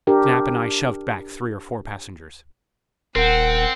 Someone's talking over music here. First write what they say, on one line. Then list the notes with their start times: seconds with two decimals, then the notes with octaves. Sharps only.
Snap and I shoved back three or four passengers.
0.07 D4 G4 A#4
3.16 D#1 C4 A#4 F#5